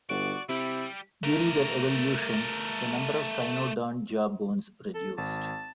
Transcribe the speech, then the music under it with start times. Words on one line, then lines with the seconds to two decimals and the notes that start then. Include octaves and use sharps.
During their evolution, the number of cynodont jaw bones reduced.
0.10 G1 F#4 D5
0.49 C3 G3 E4 G4
1.24 A3 A#4
4.94 A4
5.18 G#1 A5